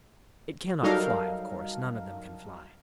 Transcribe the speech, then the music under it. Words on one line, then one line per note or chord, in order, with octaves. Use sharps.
It cannot fly, of course: none of them can fly....
F#3 G3 D#4 A4 A#4 F5